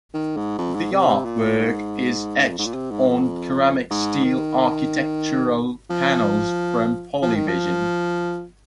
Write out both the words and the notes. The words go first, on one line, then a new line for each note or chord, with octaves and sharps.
The artwork is etched on CeramicSteel architectural panels from PolyVision.
D#3
G#2
F2
G#2
C3
C3
A#2
G#2
F2
G#2
A#2
C3
G#2
F2
G#2
D#3
F3
F3
D#3
F3